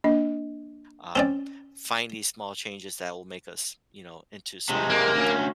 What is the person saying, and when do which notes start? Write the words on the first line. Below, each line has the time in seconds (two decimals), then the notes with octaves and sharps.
um, find these small changes that will make us, you know, into someone
0.04 A#3 D4 D#5
1.16 C4 C#4 D5
4.69 C3 G#3
4.90 A#3
5.15 D2 C#4